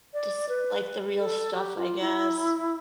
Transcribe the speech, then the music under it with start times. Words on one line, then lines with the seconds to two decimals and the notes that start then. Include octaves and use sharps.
just like the real stuff, I guess.
0.14 D5
0.49 B4
1.19 A4
1.54 G4
1.76 F4
2.00 E4